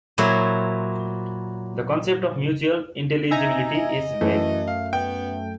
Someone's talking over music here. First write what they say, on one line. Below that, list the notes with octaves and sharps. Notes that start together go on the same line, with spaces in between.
The concept of mutual intelligibility is vague.
A#2 F#3 E4 C5 C#5
D#4 E5 G#5 A#5
D#5
F#2 E3 A3
F5
B3 G5